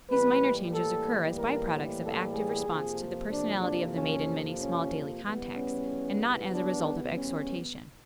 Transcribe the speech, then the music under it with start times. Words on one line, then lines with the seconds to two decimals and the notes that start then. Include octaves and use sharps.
These minor changes occur as by-products of active response to the personality of the mate in many small daily contacts, and not as a result of exhortation.
0.10 A2 E3 G3 A#3 B4
0.74 A4
1.38 A#4
2.03 A4
2.34 G#4
2.67 F2 C3 F3 A#3
3.31 D4
3.62 D4
3.94 C#4
4.59 C#4
5.24 E2 C#3 E3 G3 B3
5.56 C#4
6.52 D4
7.16 C#4